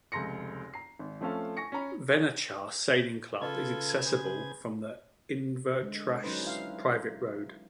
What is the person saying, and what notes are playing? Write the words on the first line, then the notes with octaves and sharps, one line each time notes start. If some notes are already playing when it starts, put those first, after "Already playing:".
Venachar sailing club is accessible from the Invertrossachs private road.
F1 C#2 A#5 C6 A#6 C#7
A#5 C7
G#1
F3 A3 C4 C#4 A4 F5
G#5 C#6 A#6 C#7
C#4 C#5 A#5 B5
C#3 F4 A4 B4 G#6
G#4 C5
D3 G#3
F#3 C#4 D#4 B4 C5
E4 F5